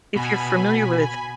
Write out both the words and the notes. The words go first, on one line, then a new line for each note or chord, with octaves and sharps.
If you're familiar with
B2 G#5 B5